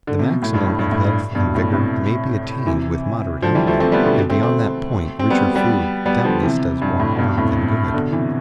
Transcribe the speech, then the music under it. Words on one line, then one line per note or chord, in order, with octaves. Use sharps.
The maximum of health and vigor may be attained with moderate outlay, and beyond that point richer food doubtless does more harm than good.
D3
C3
B2
A2
G2
A2
G2
A2
G2
G2 B2
A2
A2 C3
C3 E3
D3 F3
E3 G3
F3 A3
A3 C4
G3 B3
B2 D3
A3 C4
A3 C4
C4
G3 B3
G3 B3
G3 B3
D3 F3
C3 E3
G2
A2
G2 B2
A2 C3
B2 D3
C3 E3